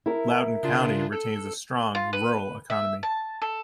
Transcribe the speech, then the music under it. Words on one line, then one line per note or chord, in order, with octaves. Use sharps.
Loudoun County retains a strong rural economy.
E4 A#4
C#3 D4 F4
A4
F4
B4
E5
A5
A4